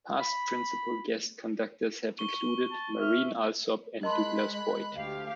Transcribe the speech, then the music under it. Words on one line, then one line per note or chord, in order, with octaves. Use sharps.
Past principal guest conductors have included Marin Alsop and Douglas Boyd.
B5
C#6 G7
A5
E5 F6
G#3 A#4 D#5 A5 B5 C6 F#6
D2 G4 F5